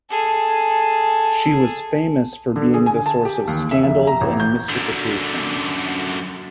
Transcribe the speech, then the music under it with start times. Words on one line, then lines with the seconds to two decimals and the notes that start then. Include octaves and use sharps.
She was famous for being the source of scandals and mystifications.
0.10 G#4 A4
2.56 D3
2.74 G#4
2.86 G#5
3.06 A5
3.25 G4
3.48 D#2
3.71 E5
3.83 F1
4.07 A#5
4.21 A1
4.40 G6
4.69 F#2 D3